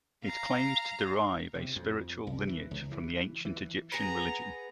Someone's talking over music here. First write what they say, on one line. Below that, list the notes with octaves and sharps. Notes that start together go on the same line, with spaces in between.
It claims to derive a spiritual lineage from the Ancient Egyptian religion.
F5 A#5
C3
F2
C2
E3
C#2
E3
E3
B3 G#4 A#5